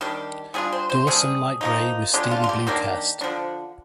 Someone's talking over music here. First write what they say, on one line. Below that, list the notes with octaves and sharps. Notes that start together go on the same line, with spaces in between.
Dorsum light grey with steely blue cast.
D#3 G3 D4 G4
G3 D4 F4 G#4
C5
C5
C3 G3 D4 G#4
F3 A#3 D#4
D3 G#3 D4 F4 G4
F4
F4
G4
D#3 A#3 D4 G4
D3 F3 A#3 D4